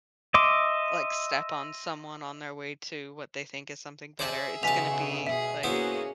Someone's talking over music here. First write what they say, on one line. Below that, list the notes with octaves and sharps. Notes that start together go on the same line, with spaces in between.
like, step on someone on their way to what they think is something better. It's gonna be, like
D#5 E5 C6 D6
G#4 C5 D5 E5 A5
B1 C#3 G#5 A5 B6 F7
B2 G#4 E5
A#3 B3 C#4 E4 F#4 G#4 C5